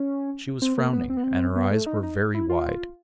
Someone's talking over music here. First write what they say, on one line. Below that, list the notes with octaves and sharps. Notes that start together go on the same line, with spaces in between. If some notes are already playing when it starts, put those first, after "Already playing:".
She was frowning, and her eyes were very wide.
Already playing: C#4
C4
A#3
B3
C4
B3
C4
B3
A3
D#4
D#4
E4
F4